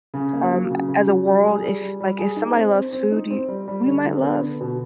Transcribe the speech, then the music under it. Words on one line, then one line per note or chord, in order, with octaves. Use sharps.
um, as a world if, like, if somebody loves food, y we might love,
C#3
A#3
F#3
C#3
C#3
F#3
G3
G#4
G3
G3
G3
G#4
D#4
C4
C4
C4
D#4
C4
G3
G3
D3
D3
B3
D3
B2